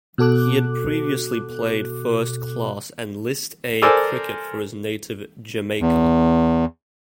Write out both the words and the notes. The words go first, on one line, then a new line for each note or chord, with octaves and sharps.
He had previously played first-class and List A cricket for his native Jamaica.
B2 F#4 A4 D6 F#6
A4 A#4 C5 D5 G#5 E6
E2